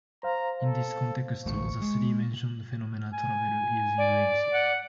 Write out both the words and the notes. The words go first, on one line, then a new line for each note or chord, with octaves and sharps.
In this context, the three mentioned phenomena travel using waves.
C5 F5 A#5
A4
D1 A1 A2 C#6
G#3
G#5
D5
F#5